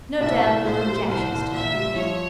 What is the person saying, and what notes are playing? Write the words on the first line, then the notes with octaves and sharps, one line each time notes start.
No doubt there were objections to marriage.
C2 E5
C2
A#2 C5
G3
C2 C5
C2
A#2 E5
G3
F3 C#5